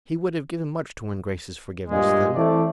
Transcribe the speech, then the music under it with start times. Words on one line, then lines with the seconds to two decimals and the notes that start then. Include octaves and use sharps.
He would have given much to win Grace's forgiveness then.
1.90 G2 A#2 G#3
2.35 E3 A3 C4 D5